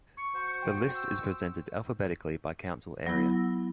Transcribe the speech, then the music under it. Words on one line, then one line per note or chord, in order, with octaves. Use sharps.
The list is presented alphabetically by council area.
C#6
F#4 C5
G5
E6
F#3 B3 E4